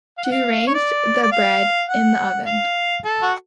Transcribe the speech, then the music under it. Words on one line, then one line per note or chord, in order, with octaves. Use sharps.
She arranged the bread in the oven.
F5
F#5
F5
C#5
D5
D5
F5
F#5
F5
A4
F#4